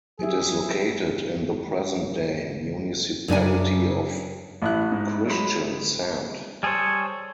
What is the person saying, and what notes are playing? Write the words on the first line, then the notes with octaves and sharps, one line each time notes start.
It is located in the present-day municipality of Kristiansand.
F#3 G4 G#4 E5
F#2 C#3 D4 G#5
A1 E4 F#6
G#2
F#3 G#3 B5
G3 G#4 A4 C5 C#5